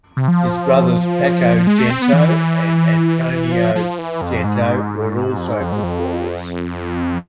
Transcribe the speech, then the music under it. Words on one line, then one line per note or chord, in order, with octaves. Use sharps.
His brothers Paco Gento and Antonio Gento were also footballers.
C3
F3
G#3
A3
C4
B3
E3
F3
F3
E3
F2
G#2
F2
G#2
F2
G#2
F2